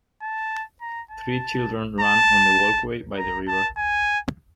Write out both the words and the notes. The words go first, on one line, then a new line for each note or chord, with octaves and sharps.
Three children run on the walkway by the river.
A5
A#5
A5
A5
A#5
A5
G#5